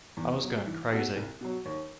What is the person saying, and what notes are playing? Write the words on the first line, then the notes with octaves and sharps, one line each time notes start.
I was going crazy.
E2
B2 F#3
E3
B3 F#4 A4
C2
B2 F#3
D#2